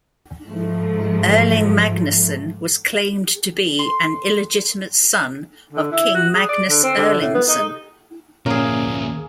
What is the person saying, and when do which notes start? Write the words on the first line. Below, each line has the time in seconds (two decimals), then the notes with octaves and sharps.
Erling Magnusson was claimed to be an illegitimate son of King Magnus Erlingsson.
0.48 G#2 F3 A3
3.79 C6
5.73 D3
5.91 E4
6.14 F#4
6.34 G#4
6.49 D5
6.68 D3
6.83 C4
6.97 D3
7.20 A2
7.34 B3
7.48 D#4
8.46 D2 A#2 F3 A#3 C#4 G#4